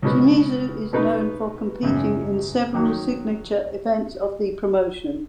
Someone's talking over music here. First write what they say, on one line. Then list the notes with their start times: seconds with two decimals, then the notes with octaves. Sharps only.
Shimizu is known for competing in several signature events of the promotion.
0.02 C#2 B2 B3
0.93 B2 B3 D#4 B4
1.83 G#1 F#2 C#3
2.74 D#3 F#3